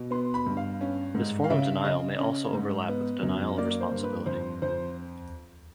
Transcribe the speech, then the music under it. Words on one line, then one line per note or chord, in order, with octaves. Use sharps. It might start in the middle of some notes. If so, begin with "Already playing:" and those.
This form of denial may also overlap with denial of responsibility.
Already playing: B2
B3 C6
B5
G2
F5
C#4
G#2
F5
C#3 E5
C#3 D#5
C#4
G#2
B3
F#2
A#3 D5
C5
G2
B4
F2 C5
F2 C5